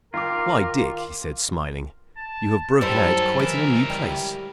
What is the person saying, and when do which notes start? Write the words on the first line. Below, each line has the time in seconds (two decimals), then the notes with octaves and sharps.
"Why, Dick," he said smiling, "you have broken out quite in a new place."
0.14 D#3 F4 A#4 D6
2.18 A5
2.81 F#2 G3 E4 A4 A#4 C5
3.39 C#2 E3 A#4 E5
3.90 G3